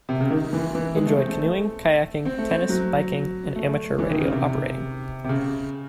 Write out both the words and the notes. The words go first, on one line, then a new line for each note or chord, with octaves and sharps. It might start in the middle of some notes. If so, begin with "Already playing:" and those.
He enjoyed canoeing, kayaking, tennis, biking and amateur radio operating.
C3
C#3
D#3
E3
E3
G#3
A3
C4
A3
C4
A3
C4
F#3
A3
E3
D#3
C#3
C3
C3
C#3